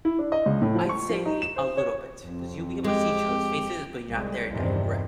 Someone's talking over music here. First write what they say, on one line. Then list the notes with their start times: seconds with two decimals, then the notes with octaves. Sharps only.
I'd say a little bit, 'cause you'll be able to see each other's faces, but you're not there direct.
0.05 E4
0.19 D4
0.32 D#5
0.46 C#2
0.62 A2
0.75 F3
0.89 C#6
1.09 F3
1.25 D#4
1.42 E7
1.56 C5
1.77 C#5
2.25 F2 C4
2.84 G#3 G4
4.09 C2 G3 G#3
4.49 E2 G2 C3 D#3 F3 G3